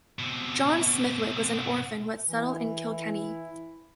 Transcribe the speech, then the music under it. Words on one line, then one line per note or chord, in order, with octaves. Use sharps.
John Smithwick was an orphan who had settled in Kilkenny.
B2 C4
E3 E4